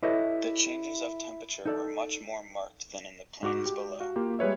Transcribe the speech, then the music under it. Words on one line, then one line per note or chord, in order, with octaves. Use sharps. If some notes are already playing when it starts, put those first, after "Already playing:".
The changes of temperature were much more marked than in the plains below.
E4 G4 A4 B4 C#5 D#5
D#4 A4 D5
G#2 F#4 D6
G4
F#4 F5
A#3 F4 G4
G3 G#3 B4 C#5 E5